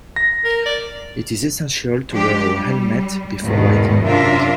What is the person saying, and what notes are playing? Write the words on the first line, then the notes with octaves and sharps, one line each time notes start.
It is essential to wear a helmet before riding a bike.
A#6
A#4
D5
F3 G#3 D4 G4
G3
E2 G#2 B2 D#3
F#2 C3 D4 F4 A#4 E5